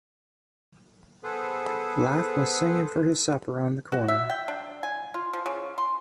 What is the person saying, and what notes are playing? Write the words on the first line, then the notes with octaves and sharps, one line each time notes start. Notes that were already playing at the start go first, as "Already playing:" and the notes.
Life was singing for his supper on the corner!
B3 G#4 A4 B4 C5
F#4
E5
G5
D4
G#5
F4
F3
C#3
C6